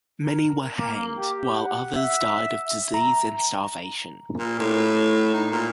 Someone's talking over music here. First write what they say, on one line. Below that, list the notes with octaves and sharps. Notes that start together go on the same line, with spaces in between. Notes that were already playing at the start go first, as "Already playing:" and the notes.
Many were hanged, while others died of disease and starvation.
A#4
A#3
G4
F#5
E5
A#5
A#2
A2
D#4
A#2